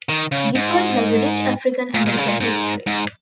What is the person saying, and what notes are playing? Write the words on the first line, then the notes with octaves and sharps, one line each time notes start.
Gifford has a rich African American history.
D#3
C#3
G#2
A#2
A#2
C#3
A#2
G#2
G#2